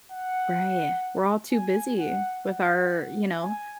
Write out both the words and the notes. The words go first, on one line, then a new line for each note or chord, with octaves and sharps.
Right. We're all too busy with our, you know,
F#5
G#5
F#5
F#5
G#5